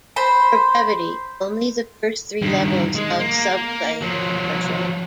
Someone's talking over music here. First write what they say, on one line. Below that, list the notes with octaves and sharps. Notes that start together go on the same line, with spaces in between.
For brevity, only the first three levels of subclades are shown.
C5 B5
G2 D#3
G#3
A#3
F3 F#3